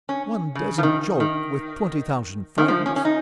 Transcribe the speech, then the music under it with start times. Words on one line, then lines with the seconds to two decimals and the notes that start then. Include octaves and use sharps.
"One doesn't joke with twenty-thousand francs."
0.09 C#4
0.55 C#3
0.78 F3
0.83 D#3
1.20 D#3
2.58 D#3
2.68 F3
2.86 C#4
2.96 C#4
3.05 D#4